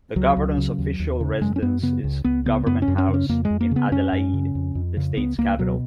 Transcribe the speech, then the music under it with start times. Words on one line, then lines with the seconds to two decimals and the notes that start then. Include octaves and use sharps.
The Governor's official residence is Government House, in Adelaide, the state's capital.
0.16 C#2 F#3
0.37 C#2
0.57 C#3
0.79 D#2
0.99 D#2
1.21 C#3
1.41 F#2 G#3
1.56 C#4
1.62 F#2 B3
1.82 C#3 B3
2.04 C#2
2.24 C#2 B3
2.46 C#3 B3
2.67 F#2 B3
2.82 C#4
2.88 F#2
2.98 C#4
3.08 C#3
3.14 C#4
3.29 F2 A#3
3.45 G#3
3.50 F2
3.61 A#3
3.71 C#3 B3
3.92 F#2 C#4
4.13 F#2
4.34 C#3
4.55 F2
4.75 F2
4.97 C#3
5.17 C#2 B3
5.38 C#2 A#3
5.59 B2 F#3